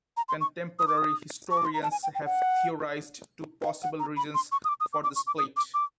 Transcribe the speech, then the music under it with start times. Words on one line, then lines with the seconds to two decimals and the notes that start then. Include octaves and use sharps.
Contemporary historians have theorized two possible reasons for the split.
0.17 A#5
0.29 C6
0.41 C#6
0.79 D#6
0.88 D6
0.98 D#6
1.51 C#6
1.57 D6
1.65 C6
1.74 A#5
1.83 A5
1.92 G#5
2.03 G5
2.15 G5
2.26 F#5
3.64 F5
3.83 F#5
4.00 A#5
4.17 B5
4.35 C6
4.52 C#6
4.65 D#6
4.69 D6
4.80 D#6
4.93 D6
5.04 D6
5.16 C#6
5.27 D6
5.38 D#6
5.57 D6
5.74 D6